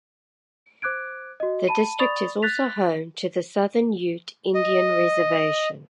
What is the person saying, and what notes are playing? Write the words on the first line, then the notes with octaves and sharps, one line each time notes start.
The district is also home to the Southern Ute Indian Reservation.
C5 D6 F#6 G#6 D7
F#4 D#5
A5 B5 D#7
D5 B5 C#6 D#6 A6 F7
F#6 A6 B6 F7
D#5